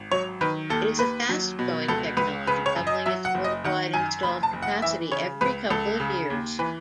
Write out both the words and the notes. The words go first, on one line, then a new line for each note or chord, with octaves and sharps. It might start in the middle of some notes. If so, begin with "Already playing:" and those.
It is a fast-growing technology doubling its worldwide installed capacity every couple of years.
Already playing: G#1
F#3 C#5
D#3 B4
D#2 A4
D#2 B4
F#3
B2
C#2 A4
C#2 B4
C#3 B4
C#5
F#2
D#5
F#3 E5
F#5
F#1
D#5
D#3 F#5
F#2 G#5
F#1 B5
A5
F#1
F#5
E3 E5
C#3 C#5
C#2 B4
C#2 A4
C#3
D#2
E3 B4